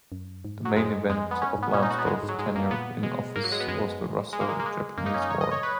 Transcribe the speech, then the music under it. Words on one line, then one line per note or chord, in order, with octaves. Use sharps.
The main event of Lamsdorf's tenure in office was the Russo-Japanese War.
F#2
G#2
F#3
F#2 G#3
F2 G#3
B3
C#4
G#2 B3
A#2 C#4
D#4
F#4
B3
G#2 G#3
G#2
F#3
G#2 G#3
F#2 A#3
A#2 B3
B2 G#3
G#2 A#3
F#3
G#3
B3
F#2 G#3
G#3
A#3
G#3
A#3
G#3
F#2 A#3
D#4
C#4
D#4
C#5
D#5
C#5
B4